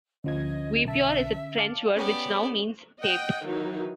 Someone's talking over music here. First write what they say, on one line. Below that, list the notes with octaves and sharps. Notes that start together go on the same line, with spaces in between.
Guipure is a French word, which now means tape.
D2 D3 F3 C#4 D#5 G#6
B1 E5 A5
F5 A5 D6
B3 C#4 G4 G#4 C#5 D5
D#5 F#5 G5
D#3 E3 F#3 D#4